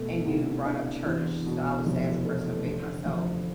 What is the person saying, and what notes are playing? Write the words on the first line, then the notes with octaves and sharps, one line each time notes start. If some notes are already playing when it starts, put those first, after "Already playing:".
and you brought up church, so I would say as a person of faith myself,
Already playing: B2 A3
C2
D4
E2
B2
F1
A3
D3
F3